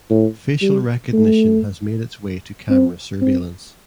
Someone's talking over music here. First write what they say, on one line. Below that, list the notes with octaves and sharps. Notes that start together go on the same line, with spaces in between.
Facial recognition has made its way to camera surveillance.
A2
G3
A3
C4
C4